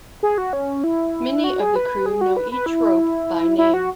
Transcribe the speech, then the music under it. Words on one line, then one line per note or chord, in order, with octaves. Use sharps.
Many of the crew know each rope by name.
G#4
F#4
C#4
E4
F#4
G#4
B4
G#4
F#4
B4
B4
E4
E4
F#4